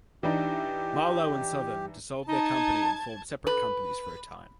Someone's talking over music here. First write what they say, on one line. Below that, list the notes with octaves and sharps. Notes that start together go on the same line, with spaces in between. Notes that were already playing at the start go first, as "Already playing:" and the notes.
Marlowe and Sothern dissolved their company and formed separate companies for a time.
E3 D4 D#4 G4
D#4 A5 G#6
B4